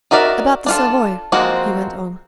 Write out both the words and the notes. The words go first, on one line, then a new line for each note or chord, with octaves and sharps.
"About the Savoy," he went on.
D#4 F#4 A#4 D5 E5
D4 F4 A4
F3 G#3 A#3 C4 F#4